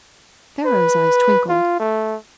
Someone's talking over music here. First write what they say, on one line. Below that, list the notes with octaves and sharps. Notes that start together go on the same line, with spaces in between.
Pharaoh's eyes twinkled.
B4
F4
A3